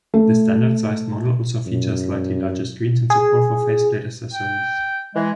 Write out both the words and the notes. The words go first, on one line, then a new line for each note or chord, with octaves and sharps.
The standard-sized model also features slightly larger screens, and support for faceplate accessories.
A3
F#2
G#4
G5
E3 G#3